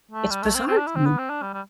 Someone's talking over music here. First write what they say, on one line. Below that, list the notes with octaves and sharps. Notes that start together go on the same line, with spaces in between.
It's bizarre to me.
A3
G3
A3
C4
C4
D4
E4
C4
B3
C4
D4
G3
G3